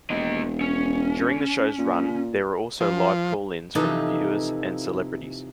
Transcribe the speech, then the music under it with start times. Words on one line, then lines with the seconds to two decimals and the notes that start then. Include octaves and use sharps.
During the show's run there were also live call-ins from viewers and celebrities.
0.10 E1 A#3 D#5
0.61 C#4
1.79 A#2
2.80 F3
3.75 C3 E3 F3 D#4 A4